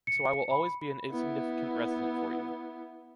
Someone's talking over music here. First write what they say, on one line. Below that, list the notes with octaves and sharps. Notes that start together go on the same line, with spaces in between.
So I will always be an insignificant resident for you!
C#7
B5
B3 E4